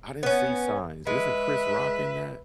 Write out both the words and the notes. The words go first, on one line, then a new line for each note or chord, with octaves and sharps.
I didn't see signs, isn't Chris Rock in that?
B3 C#4
G#3 B4 E5